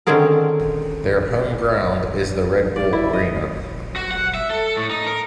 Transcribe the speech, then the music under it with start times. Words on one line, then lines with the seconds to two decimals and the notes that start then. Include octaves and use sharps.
Their home ground is the Red Bull Arena.
0.07 D3 D#3 C4 C#4 G#4 A#4
2.76 D5
2.93 E4
3.13 D#5
3.96 F#4
4.11 F#5
4.34 E5
4.50 A4
4.77 A2
4.91 D#4
5.07 A#4